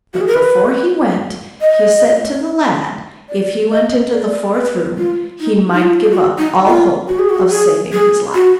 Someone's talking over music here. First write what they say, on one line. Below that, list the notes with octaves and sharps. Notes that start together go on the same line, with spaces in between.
But before he went, he said to the lad, if he went into the fourth room he might give up all hope of saving his life.
F#4
G#4
A#4
B4
D#5
D5
D#5
D5
B4
F4
D#4
D#4
F4
F4
F#4
D#4
F4
F#4
G#4
F#4
G#4
G#4
F#4